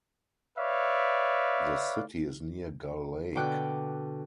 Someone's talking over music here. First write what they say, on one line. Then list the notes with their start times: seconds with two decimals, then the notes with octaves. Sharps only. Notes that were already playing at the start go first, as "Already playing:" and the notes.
The city is near Gull Lake.
0.58 B4 C#5 D5 E5 F5
3.35 B2 D3 G5 D6 F#6